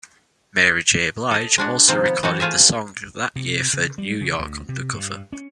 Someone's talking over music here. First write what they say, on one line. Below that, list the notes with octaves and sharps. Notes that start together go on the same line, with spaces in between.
Mary J. Blige also recorded the song that year for "New York Undercover".
A4 D#5
G#3 D4 F#4
C3 D#3 F3 C4
B3
E3 C4 F#4 A4
A3 F4 G#4 E5
C3
C#3
G3
C#3
D2
C3
G2
C#4